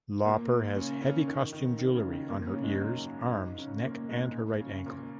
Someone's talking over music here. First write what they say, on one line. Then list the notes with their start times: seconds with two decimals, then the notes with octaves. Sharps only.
Lauper has heavy costume jewelry on her ears, arms, neck and her right ankle.
0.25 A#2 A#3
0.76 C#3 C#4
1.02 C#3 C#4
1.28 D#3
1.53 D#3
1.79 D#3
1.95 C#3
2.13 D#3
2.30 A#2 A#3
2.47 C#3 C#4
2.63 G#2 G#3
2.81 F#2 F#3
3.32 G#2 G#3
3.58 C#3 C#4
3.83 A#2 A#3
4.09 G#2 G#3
4.60 C#3 C#4
4.86 A#2 A#3